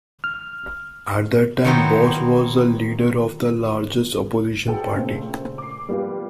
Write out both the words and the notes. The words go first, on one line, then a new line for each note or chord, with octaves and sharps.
At that time Bos was the leader of the largest opposition party.
F6
D#3 F#3 B3 C4 D#4 E4
F#4 G#4 A4 B4 G5
A#2 C#3 A3 A#3 C4
D6 C7
G3 A#3 B3 F4 G4